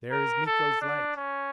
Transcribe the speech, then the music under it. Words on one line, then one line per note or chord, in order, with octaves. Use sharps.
"There is Miko's light!"
A#4
A4
D4
C#4